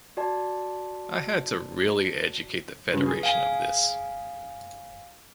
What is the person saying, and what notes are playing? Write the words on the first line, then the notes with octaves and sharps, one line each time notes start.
I had to really educate the federation of this.
F#4 D5 A5
G2 C#3 F#3
G#4
F5 G#5